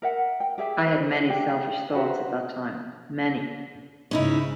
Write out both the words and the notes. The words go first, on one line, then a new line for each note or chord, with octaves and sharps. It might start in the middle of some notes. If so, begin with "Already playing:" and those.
I had many selfish thoughts at that time, many!
A#4 E5 F#5
G5
G4 G#4 E5 G5
C5
D4 G4 F5 G5
F#4 G4 B4 C5
G#2 C#3 C#4 D#4 E4